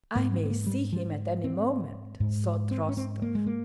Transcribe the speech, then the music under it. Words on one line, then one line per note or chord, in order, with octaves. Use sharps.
"I may see him at any moment," thought Rostov.
G#2 A#3
C4
C4
A#3
G3
F3
C4
G#2
C4
C#4
C4
A#3
G#3
A#3